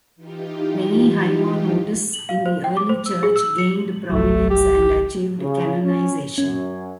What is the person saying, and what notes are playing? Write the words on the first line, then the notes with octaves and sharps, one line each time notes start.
Many hymnodists in the early Church gained prominence and achieved canonisation.
E3 D#4 F4 G4
F#7
F5
C5
G5
D6
C5
E6
G#4
E6
C#7
G1 C2 F#3 A3
G4
C#3
C#4
F#2 C#4